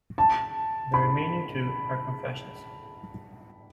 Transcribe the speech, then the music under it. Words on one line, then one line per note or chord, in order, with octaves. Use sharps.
The remaining two are confessions.
A5
B5